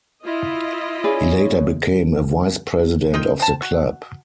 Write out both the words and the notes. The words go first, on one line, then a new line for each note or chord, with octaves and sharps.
He later became a Vice-President of the Club.
E4 F4 D#5
C#4 G#4 B4 D5
D#4 F4 G5
C4 A5
F#4